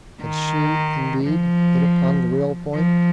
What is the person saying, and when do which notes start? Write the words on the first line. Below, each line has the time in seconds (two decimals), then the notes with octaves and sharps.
Had she indeed hit upon the real point?
0.22 D#3
1.23 F3
2.74 F3